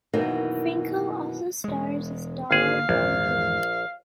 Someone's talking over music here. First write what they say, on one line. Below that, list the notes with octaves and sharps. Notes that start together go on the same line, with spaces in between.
Franco also stars as Darl Bundren.
F#2 B2 D#3 E3 A#3 D#4
E1 G#3
G#1 D3 A#3 G#4 F5
A#1 E2 G#2 D#3